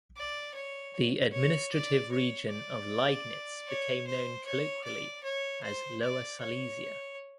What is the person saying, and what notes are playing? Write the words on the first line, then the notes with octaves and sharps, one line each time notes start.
The administrative region of Liegnitz became known colloquially as "Lower Silesia".
D5
C#5
C#5
D5
C#5
D5
C#5
C5
C#5
D5
C#5
C5
D5
C#5